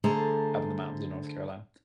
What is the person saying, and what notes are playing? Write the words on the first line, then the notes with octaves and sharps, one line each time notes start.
up in the mountains in North Carolina.
D3 A3 G#4 C5 A5 A#5